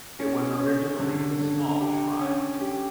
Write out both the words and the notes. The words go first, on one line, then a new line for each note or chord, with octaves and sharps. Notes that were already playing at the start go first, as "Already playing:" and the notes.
It was originally a small shrine.
C#4
C#4
D3
D3
G4
C#4
G4